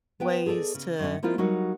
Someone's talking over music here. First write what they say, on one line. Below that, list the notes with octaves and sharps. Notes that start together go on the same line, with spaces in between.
ways to
B3 B4 G5
G#4 A4 B4 D5 D#5
C#3
F#2 C#4
F3 A#3 C4 E4 F4 D#5
F#3 G3 A#3 D#4 F#4